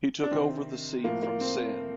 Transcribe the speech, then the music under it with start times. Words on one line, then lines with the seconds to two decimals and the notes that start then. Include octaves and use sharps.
He took over the seat from Sen.
0.23 D4
0.31 C3 D#3 C4
1.04 A2 F3 A#3
1.23 A#3
1.41 C4